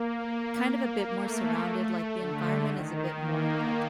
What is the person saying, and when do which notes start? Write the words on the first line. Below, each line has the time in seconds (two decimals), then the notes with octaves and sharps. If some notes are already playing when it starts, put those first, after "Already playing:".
kind of a bit more surrounded, like, the environment is a bit more like
Already playing: A#3
0.14 A#3
1.15 A3
2.17 D3
2.67 D#3
3.17 A#3